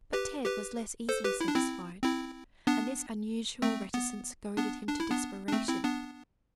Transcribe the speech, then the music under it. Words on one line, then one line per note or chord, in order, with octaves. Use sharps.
But Ted was less easily satisfied, and this unusual reticence goaded him to desperation.
G4 B4
G4 B4
A4 C5
G4 B4
E4
D4
C4 E4
C4 E4
B3 D4
A3 C4
B3
B3 D4
D4
E4
B3 D4
D4
A3 C4
C4 E4
B3 D4